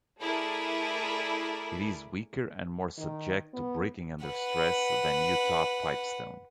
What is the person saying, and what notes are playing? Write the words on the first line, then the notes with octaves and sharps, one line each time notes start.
It is weaker and more subject to breaking under stress than Utah pipestone.
A3 E4 G#4 A#4 D5 B5
D#3
B3
B4 F#5